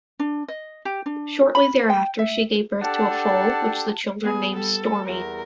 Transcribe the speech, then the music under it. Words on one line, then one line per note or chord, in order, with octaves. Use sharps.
Shortly thereafter, she gave birth to a foal, which the children named Stormy.
D4
D#5
G4
D4
B5
G5
E5
D4 G4 A4 F#5 A5
B3 G#4
G3 A4
E2 A#4